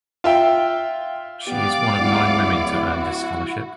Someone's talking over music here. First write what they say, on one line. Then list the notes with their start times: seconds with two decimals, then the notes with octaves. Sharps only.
She is one of nine women to earn this scholarship.
0.24 F4 E5 G5
1.47 B3 G4 D5 F5 D6
1.99 D1 E4 F#5
2.86 F#4